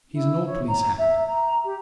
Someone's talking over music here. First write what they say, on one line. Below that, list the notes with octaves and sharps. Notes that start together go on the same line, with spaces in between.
He's an old police hand.
E4
C#5
A#5
E5
A#5
G4